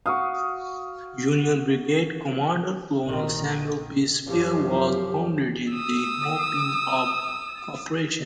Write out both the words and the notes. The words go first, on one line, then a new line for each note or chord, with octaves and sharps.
Union brigade commander Colonel Samuel P. Spear was wounded in the mopping up operation.
F#4 F5 C#6 D#6
A#1 D#3
F#2 F3 G4
D#6 E6